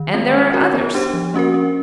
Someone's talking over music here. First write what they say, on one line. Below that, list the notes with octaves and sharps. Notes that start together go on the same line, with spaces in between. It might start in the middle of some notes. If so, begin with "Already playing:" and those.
And there are others.
Already playing: D#3
G#3 C4 F4
C#4
F#4 A#4 C#5
B3
D4 G4 C5
F3
A#3 C#4 F#4 A#4
C#4